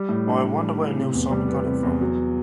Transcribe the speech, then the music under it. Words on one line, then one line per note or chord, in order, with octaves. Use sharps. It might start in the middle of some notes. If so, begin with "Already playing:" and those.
I wonder where Neil Simon got it from?
Already playing: G3
A2
D4
A2
G3
A2
C3
E2
G3
B3
C3
E2
F#3